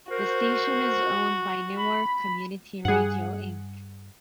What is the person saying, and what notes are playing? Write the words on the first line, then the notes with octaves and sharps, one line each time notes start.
The station is owned by Newark Community Radio Inc.
F#4 A#4 C5
B5
G2 G3 G#4 F#5